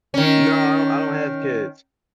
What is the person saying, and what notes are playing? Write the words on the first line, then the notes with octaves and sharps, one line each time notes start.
No, I don't I don't have kids.
D#3 C#4